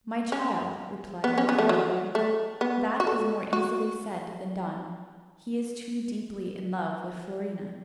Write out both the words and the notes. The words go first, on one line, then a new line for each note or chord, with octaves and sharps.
"My child," replied the godmother, "that is more easily said than done; he is too deeply in love with Florina."
C#4
B3
C#4
B3
A3
F#3
A3
B3
F#4
A4
F#4